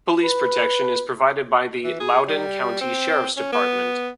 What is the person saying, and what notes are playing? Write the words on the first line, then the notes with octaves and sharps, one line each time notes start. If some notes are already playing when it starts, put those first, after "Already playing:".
Police protection is provided by the Loudoun County Sheriff's department.
B4
E3
G#4
G3
C4
C#4
B3